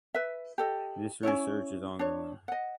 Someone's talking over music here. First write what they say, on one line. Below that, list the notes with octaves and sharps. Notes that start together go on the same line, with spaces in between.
This research is ongoing.
B4 E5
G4 A4 D#5
C#4 D#4 E4 C#5
D4 C#5
D#5 F#5